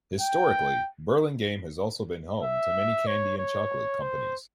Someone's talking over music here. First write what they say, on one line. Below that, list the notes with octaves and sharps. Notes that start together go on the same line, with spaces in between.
Historically, Burlingame has also been home to many candy and chocolate companies.
G5
E5
C#5
C#5
C5